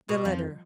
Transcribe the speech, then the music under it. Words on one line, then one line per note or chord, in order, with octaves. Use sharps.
The letter!
B2
F2 F3